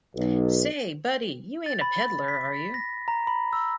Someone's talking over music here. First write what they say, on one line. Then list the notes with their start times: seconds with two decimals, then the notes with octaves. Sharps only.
Say, buddy, you ain't a pedlar, are you?
0.15 B1
1.66 A6
1.81 B5
2.28 B6
2.74 A#6
3.08 A#5
3.27 B5
3.53 E6